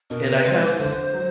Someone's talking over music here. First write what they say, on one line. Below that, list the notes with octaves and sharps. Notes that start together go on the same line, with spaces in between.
and I have,
B2 A#4
B4
G#3 C4 B4
C5
D3 C5
F#3